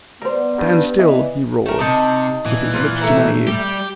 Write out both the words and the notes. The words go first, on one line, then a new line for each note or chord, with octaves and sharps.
"Stand still," he roared, with his lips to my ear.
G3 B3 A#4 C5
G2
E3 D5 D#5
A3 A#4
C3 D#4 A5
A#2 E3
A#2 F4 A#4 B4
A3 E5 A#5
G3 G4